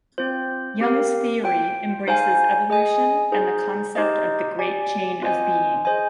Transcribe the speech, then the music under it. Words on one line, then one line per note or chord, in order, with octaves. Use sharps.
Young's theory embraces evolution and the concept of the great chain of being.
C4 F4 C5
C4 G4 A#4 F5
F4 C5 G5
D#4 G#4 C5 F5 G#5
G#4 D#5 G#5
D#4 G#4 C5
D#4 G4 C5 D#5
G4 D5 G#5
C4 F4 C5 D#5 G#5
G#4 C5 D#5 G#5